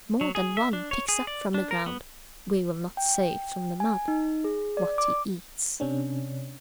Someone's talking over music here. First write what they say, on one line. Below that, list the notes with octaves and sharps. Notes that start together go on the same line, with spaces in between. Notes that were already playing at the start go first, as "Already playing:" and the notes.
More than one picks up from the ground--we will not say from the mud--what he eats.
F#3
G#4
E5
D4
C#5
G#4
D5
D4
A#4
B3
G5
G#5
D#4
G#4
D5
D6
C3 C#4 D4